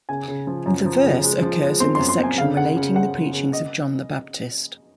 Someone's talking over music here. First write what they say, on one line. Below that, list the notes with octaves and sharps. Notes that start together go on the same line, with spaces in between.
The verse occurs in the section relating the preachings of John the Baptist.
C#3 G#5
C#3
F3
F#2
F3
C#3
G#3
F3
G#3
C4 C6
C6
F#2
C6
C4 G#5
C#3 F5
C#3 F#5
C#3
C#3 F#5
C#3
C#3
D#5